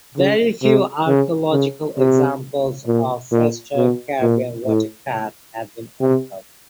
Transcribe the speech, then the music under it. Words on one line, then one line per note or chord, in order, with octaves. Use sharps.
Very few archaeological examples of prehistoric Caribbean watercraft have been uncovered.
C#3
C3
C#3
C#3
C3
A#2
A#2
B2
A#2
A2
C3